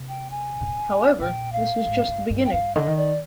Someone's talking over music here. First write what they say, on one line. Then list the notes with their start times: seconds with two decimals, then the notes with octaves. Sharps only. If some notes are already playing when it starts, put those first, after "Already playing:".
However, this was just the beginning.
Already playing: C3
0.08 G5
0.30 G#5
1.19 A#2 G5
1.52 F5
1.86 G#2
2.08 G2
2.30 G2
2.45 G5
2.52 G2 F5
2.75 D3 D#5
2.86 D#3
2.97 D5